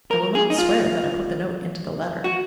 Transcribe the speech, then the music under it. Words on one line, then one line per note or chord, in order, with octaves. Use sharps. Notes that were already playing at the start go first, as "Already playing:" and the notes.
"I will not swear that I put the note into the letter."
A#4
G#4
D#4
F4
F#4